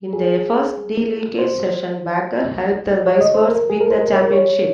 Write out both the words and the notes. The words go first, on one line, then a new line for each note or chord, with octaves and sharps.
In their first D-League season, Baker helped the Wizards win the championship.
G#4
C5
C#5
D#5
C5
A#4
A#4
G#4
A#4
C5
A#4
C#5
A#4
C#5